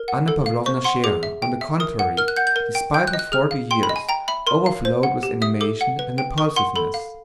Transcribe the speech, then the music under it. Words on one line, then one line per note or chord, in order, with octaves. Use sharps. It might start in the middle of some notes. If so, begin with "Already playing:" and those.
Anna Pavlovna Scherer on the contrary, despite her forty years, overflowed with animation and impulsiveness.
Already playing: A#4
F#5
A4
F5
C5 C#6
F#5 C6
G#4 D6
E5
G5
E5
A#4 D#6
F#5
A#4 F6
F#6
F#5 G6
G6
A#4
G5
G5 G6
F#6
D#5
F#6
G#4 F6
F5
G5 C6
B5
D#5
G#5
G5 A#5
E5 B5
A#4 C6
F5
C5
F#5
G4
E5 D#6
A4 D6
F#5
B4
G5
A#4 C#6
F#5 C6
A4 B5
F5